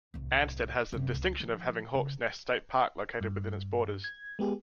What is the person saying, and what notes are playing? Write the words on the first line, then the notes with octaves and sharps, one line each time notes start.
Ansted has the distinction of having Hawk's Nest State Park located within its borders.
D1 C2
F#2 C3
C#2
D#3 F3
C#3
G2
G#6
G#3 B3 G4 G#4